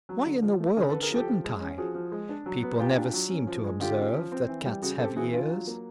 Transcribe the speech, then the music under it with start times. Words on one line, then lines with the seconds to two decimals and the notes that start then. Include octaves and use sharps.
Why in the world shouldn't I! People never seem to observe that cats have ears.
0.09 F#3
0.26 D3
0.42 F3
0.60 A3
0.77 D3 G#4 A#4
0.89 A4 B4
0.94 D3
1.02 G#4 A#4
1.11 F3 G4 A4
1.27 F3
1.44 G#3
1.61 C#4
1.78 F3 F#4 G#4
1.95 F3
2.12 G#3
2.29 D4
2.46 F#3
2.63 B3
2.79 A#2 F4 G4
2.96 D4
3.14 F#3
3.30 C#4
3.47 F3
3.64 G#3
3.81 D3 F4 G4
3.98 C#4
4.15 F3
4.32 C4
4.48 E3
4.65 G3
4.82 C#3 F#4 G#4
4.99 C4 G4 A4
5.16 E3 F#4 G#4
5.33 D4 F4
5.50 F#3
5.67 A#3